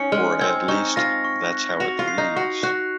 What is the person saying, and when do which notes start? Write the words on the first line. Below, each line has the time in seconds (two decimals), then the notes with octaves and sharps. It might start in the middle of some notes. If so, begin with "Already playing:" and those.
Or at least, that's how it reads.
Already playing: C#4 D#4 C#7
0.12 G#3 F6
0.40 C4 G#6
0.68 D#4 C#6
0.96 F4 A#6
1.24 C#6
1.52 F#6
1.80 F#4 F7
1.99 F4
2.08 C7
2.18 D#4
2.36 F#4 C#6
2.63 F#4 F#6